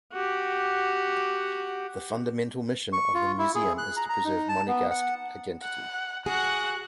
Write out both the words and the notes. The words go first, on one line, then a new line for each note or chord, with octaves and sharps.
The fundamental mission of the museum is to preserve Monegasque identity.
F#4 G4
C#6
F4
E4
G#4
F#6
A#5
A#5
D#4
A5
B3
F#5
F#5
F#4 G#4 F#5 F#6